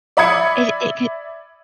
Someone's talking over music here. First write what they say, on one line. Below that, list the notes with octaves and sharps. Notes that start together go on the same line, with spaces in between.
It it could
D5 E5 B5 D#6 G#6 C#7